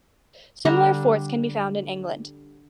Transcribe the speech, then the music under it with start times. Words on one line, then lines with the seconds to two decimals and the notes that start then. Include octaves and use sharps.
Similar forts can be found in England.
0.65 D3 G3 D4 A#5